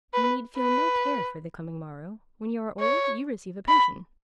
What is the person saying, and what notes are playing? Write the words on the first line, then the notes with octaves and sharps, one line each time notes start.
"You need feel no care for the coming morrow: when you are old, you receive a pension."
B4
B4
C#5
B5